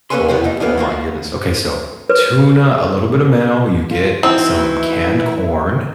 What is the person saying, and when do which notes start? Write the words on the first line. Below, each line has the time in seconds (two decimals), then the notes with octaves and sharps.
Oh, bo oh, my goodness, okay, so, tuna, a little bit of mayo, you get some canned corn.
0.10 A#3 C#4 A4 B4 G#5 C6
0.28 B2 D3 F#3 B3 C4
0.44 D#2 D#4
0.60 E3 A#3 B3 D4
0.78 A#3 F4 F#4
2.10 B4
3.91 F4
4.23 E3 C4 D#4 E4 F#4